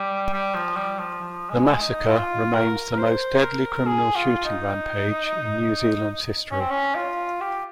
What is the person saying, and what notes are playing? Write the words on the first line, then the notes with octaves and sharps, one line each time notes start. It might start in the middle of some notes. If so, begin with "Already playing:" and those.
The massacre remains the most deadly criminal shooting rampage in New Zealand's history.
Already playing: G3
G3
F3
G3
F3
F3
G#3
D#4
F4
A#4
A#4
C5
A#4
G#4
F4
D#4
C#4
C4
C#4
F4
G4